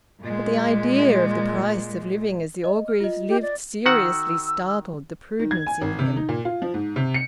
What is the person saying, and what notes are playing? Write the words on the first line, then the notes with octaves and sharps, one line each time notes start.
But the idea of the price of living as the Orgreaves lived seriously startled the prudence in him.
A#2 G#3
D#5
F6
F4 D#5
G4
D5
D#3 F#4 F#5 E6
D#3
G#6
G#5
G#1
C3
D#4
A#2
F4
F3
G#2
C3
C#7